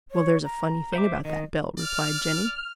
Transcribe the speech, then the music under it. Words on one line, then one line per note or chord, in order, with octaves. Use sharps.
"Well, there's a funny thing about that bill," replied Jenny.
C#5
A#5
C5 E5 D6
D#3 D#5
D5 F6